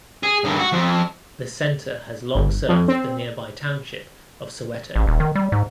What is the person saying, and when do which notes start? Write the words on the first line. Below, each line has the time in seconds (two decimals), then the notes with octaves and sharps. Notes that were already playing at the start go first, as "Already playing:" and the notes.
The centre has long served the nearby township of Soweto.
0.23 G#4
0.44 G2 D#3
0.59 F#4
0.72 F2
2.35 G1
2.68 F2
2.88 C4
4.96 A1
5.07 D#1
5.20 D#3
5.35 G3
5.52 G#2